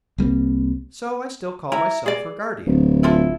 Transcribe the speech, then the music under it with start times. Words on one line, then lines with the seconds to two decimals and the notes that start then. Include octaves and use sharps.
So I still call myself her guardian.
0.18 C2 G3 A#3 C4
1.72 E4 A#5
2.06 G#4 D5
2.67 D1
3.03 E4 F4 A4